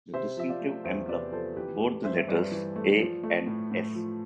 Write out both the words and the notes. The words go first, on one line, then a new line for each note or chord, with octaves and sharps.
The distinctive emblem bore the letters "A" and "S".
C3 C5 E5
F3 E5
D5 F5
A3
E2 C5 E5
C3 B4 D5
F3 A4 C5
E3 G4 B4
A3
G2 C5 E5
E5
G2 B4 D5
E3
A3
F3
A3
A2
A2
F3